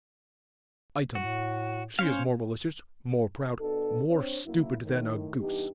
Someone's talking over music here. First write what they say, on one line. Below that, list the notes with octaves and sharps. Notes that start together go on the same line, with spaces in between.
Item--she is more malicious, more proud, more stupid than a goose.
A2 F#4
C#4 C5 C#5 F5
B2 B3 D4 A4
C4 D4 C5 C#5
F#2 A#3 E4
A2 D#3
E2 G2 D#4 G4